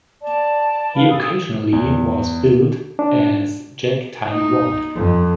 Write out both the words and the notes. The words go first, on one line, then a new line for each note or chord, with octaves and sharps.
He occasionally was billed as Jack "Tiny" Ward.
D5 A5
B4 F5 B5
A4 D#6
E2
D4
D#4
F2